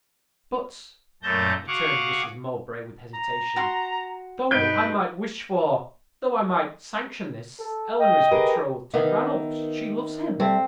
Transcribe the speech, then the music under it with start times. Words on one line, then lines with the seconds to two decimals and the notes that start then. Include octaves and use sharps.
"But," returned Mrs. Mowbray, with hesitation, "though I might wish for--though I might sanction this, Eleanor is betrothed to Ranulph--she loves him."
1.23 F#2 A#2 A3 A5 G6 A#6
1.67 F#4 G#4 F5 F#5 C#6 D6
3.14 A#5
3.56 F#4 C6
4.51 G2 B2 D#4 B4 G6 D7
7.59 A4
7.98 D#5 G5
8.31 G4 G#4 A#4 B4
8.94 D#3 B3 E5
10.40 G3 C4 A4 E5